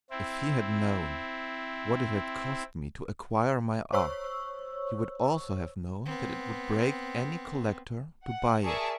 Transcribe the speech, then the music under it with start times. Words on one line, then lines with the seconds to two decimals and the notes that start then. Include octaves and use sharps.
If he had known what it had cost me to acquire my art, he would also have known that it would break any collector to buy it.
0.10 C4 E4
3.93 C5 C#5 C#6 E6
6.05 B3 C4
8.26 F#5
8.63 G#4 A#4 D5 E5 A5 C#6